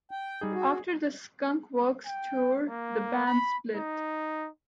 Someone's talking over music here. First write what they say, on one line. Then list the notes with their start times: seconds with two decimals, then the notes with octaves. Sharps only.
After the Skunkworks tour, the band split.
0.11 G5
0.41 G3 D#4 G#4
0.53 F#4 G#4
2.06 G5
2.68 A#3
3.26 B5
3.75 D#4